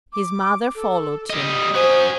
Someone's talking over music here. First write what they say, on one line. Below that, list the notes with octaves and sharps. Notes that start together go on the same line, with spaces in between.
His mother followed him.
D6
A4
G3 D#5 D#6
F#4 C5 G#5